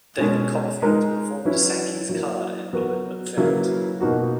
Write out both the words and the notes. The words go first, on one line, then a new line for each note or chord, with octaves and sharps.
David Copperfield performed Sankey's card in balloon effect.
B2 G#3 C#4
G#3 D#4 A#4
F#3 C#4 E4 B4
F#3 A#3 E4
F#3 B3 F#4 A#4
C#3 F#3 A#3 E4 B4
B2 A#3 D#4 F#4